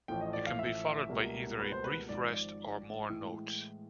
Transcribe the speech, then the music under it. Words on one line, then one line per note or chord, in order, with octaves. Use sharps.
It can be followed by either a brief rest or more notes.
A1 A2 F3 A3 G5
D#5
D5
F5
E5
C#2 B2 G3 A#3
B4
C5
B4
G#1 G#2 F3 D5
A2 E3 G#3